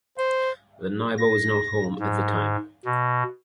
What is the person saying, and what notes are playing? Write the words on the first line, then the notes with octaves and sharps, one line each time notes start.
The neighbor was not home at the time.
C5
A#6
G#2
B2